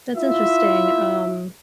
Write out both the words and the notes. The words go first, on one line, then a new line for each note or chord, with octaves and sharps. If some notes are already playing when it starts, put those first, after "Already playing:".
That's interesting, um,
E4 F4 E5